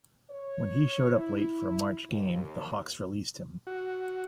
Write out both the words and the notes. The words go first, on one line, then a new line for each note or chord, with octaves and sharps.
When he showed up late for a March game, the Hawks released him.
C#5
E4
D#2
F#4